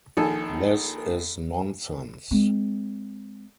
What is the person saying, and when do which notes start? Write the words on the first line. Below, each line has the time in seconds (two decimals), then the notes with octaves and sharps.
This is nonsense.
0.17 A#1 D#3 A4 G#5 A5
2.31 G#3 C4